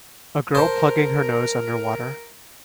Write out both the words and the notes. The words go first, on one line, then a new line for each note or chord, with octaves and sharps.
A girl plugging her nose underwater.
A#4 C5 A5